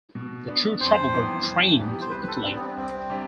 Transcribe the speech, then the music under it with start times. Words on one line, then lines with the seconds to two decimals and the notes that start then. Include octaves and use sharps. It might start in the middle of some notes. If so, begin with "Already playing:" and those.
The two travelled by train to Italy.
0.15 B2
0.48 B3 D4
0.80 F2 C5
1.13 C3 E3 G3 B3
1.46 F2
1.79 C3 E3 G3 B3
2.01 C5
2.11 C2 B4
2.23 B4
2.28 A4
2.44 C3 G3 C4 D4 G4
2.55 B3
2.61 C4
2.77 C2 C4
3.10 C3 G3 D4 G4